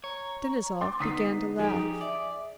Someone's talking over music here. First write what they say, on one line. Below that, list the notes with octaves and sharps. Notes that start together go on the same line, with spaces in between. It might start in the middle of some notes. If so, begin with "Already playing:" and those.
Denisov began to laugh.
C#5 A#5
C6 D6 A6
D3 B3 D#4 D#6 B6 C7
F3 D#4 G4 G#4
D5 E5